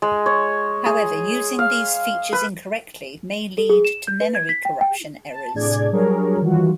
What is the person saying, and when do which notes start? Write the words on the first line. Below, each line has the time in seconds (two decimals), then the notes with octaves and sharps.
However, using these features incorrectly may lead to memory corruption errors.
0.02 G#3
0.26 C#5
0.86 G#4
1.59 F5
2.33 B4
3.58 A4
3.70 G#4
3.85 E7
4.07 G6
4.21 B4
4.35 G#6
4.49 B6
4.65 G5
4.81 G5
5.30 A5
5.55 A2 C3 D4 G#4 D5 G#6
5.92 F#3 G3 D4 G#4 A#4 C#5
6.42 D#3 E3 F#3 G3 F4 F#4